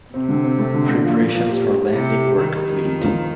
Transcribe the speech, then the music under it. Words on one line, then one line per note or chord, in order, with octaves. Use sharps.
Preparations for landing were complete.
C3 C4
D3
C4
A3
D3
D3
A#2 F3
F3
F3
G4
G4
G4
C3 G3
G3
G4
D#3 G3
G3
G3
F2
F3